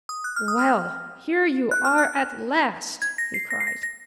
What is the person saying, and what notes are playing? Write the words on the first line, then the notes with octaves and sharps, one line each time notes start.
"Well, here you are at last!" he cried.
D#6
F#6
F6
D#6
F6
F#6
F6
F#6
G#6
A#6
C7
A#6
C7
A#6
A#6